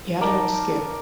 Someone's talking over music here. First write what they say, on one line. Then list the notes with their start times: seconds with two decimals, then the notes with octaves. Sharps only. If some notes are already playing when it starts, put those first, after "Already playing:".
He had a lot of skill.
0.21 D#4 A#4 D5 A5